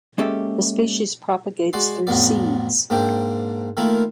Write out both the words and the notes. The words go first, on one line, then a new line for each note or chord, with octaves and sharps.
The species propagates through seeds.
G#3 A#3 C#4 G4 A4 E5
G#3 F#4 D5 C6
A1 F2 A2 F#3 B3 D5
G#2 A#3 C4 D4 G4
D#3 A3 A#3 E4 F4